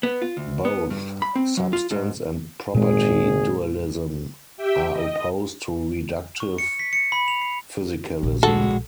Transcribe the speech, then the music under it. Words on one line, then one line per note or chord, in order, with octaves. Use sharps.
Both substance and property dualism are opposed to reductive physicalism.
B3
F4
D2
B3
G2
B5
C4
F#3
F4
G#2
G#1 D#2 A#2 G#3 G#4
G4 E5 G5
D#5
C#6
C#7
B6
C#7
B5
F7
C7
A#1
G#3 F#4 A4